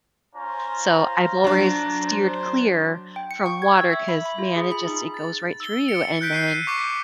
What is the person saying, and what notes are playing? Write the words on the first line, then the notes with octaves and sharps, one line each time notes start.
so I've always steered clear from water, 'cause, man, it just it goes right through you, and then
C#4 F4 C5 A#5
F#3 D4
C5
G5
C#7
C#6
G#6
E6
E5
B5
B5
F4
G#4
B5
D#4
A6
E6 G7
C#7 D7
F#6 G6 B6 D7
G6 C7 D#7
C#6 D6 B6